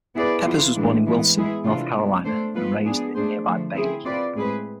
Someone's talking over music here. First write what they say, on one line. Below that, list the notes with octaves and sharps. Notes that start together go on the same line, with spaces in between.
Peppers was born in Wilson, North Carolina, and raised in nearby Bailey.
B3 E4 G#4 B4 D5
E3 B3 F4
A2 E3 G#3 D4
E3 G#3 B3
G#3 B3 E4 G#4
C3 E3 A3 D4 F4
G#3 B3 D4
A3 D4 A4 C5
F3 G#3 B3 F4 B4
B3 D4 G#4
A3 D4 G#4 C5
D3 F3 A3
C4 E4 G#4
C4 F4 B4 D5
A2 G#3 C4 G#4 B4